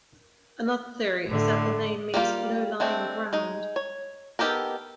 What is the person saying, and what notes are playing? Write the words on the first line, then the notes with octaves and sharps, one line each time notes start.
Another theory is that the name means "low-lying ground".
A2 D3
G3 A#3 F4 G4
G#3 A3 C4 D4
G#3 D#4
C#5
B3 D#4 G4 A4 A#4